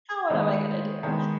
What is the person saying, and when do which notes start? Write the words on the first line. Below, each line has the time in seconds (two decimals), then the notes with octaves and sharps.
“Now, what am I gonna do?"
0.30 D#3 G#3 B3
1.03 D#3 G#3 B3